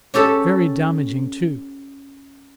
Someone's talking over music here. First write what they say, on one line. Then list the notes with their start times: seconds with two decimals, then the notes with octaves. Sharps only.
Very damaging, too!
0.14 C#4 G4 A4 A5